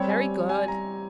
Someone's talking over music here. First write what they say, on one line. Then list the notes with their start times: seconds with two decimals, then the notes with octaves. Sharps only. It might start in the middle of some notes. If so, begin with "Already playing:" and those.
Very good.
Already playing: G3 C4 G4 C#5
0.10 G#5
0.49 G#5
0.68 A#5